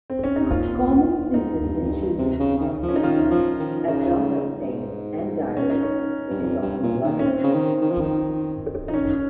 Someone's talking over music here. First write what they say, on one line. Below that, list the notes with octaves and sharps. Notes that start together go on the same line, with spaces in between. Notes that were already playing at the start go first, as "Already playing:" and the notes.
Common symptoms in children are fever, abdominal pain, and diarrhea, which is often bloody.
C4
C#4
C3 D#4
A#2 F4
G#2 D#4
G2
F2
G2
C3
C#3
D#3
F3
C#4
D#4
D#3 F4
F3
D#3
C#3 D#4
G2
G#2
C#4
D#4
C#4
G2
F2
G2
A#2
D#3
C#4
C4
C#3
D#3
D#3
F3
D#3
F3 D#4
D#3 C#4